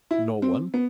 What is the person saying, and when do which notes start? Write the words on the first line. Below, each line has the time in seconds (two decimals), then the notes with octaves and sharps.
"No one."
0.11 E4
0.42 C4
0.74 B3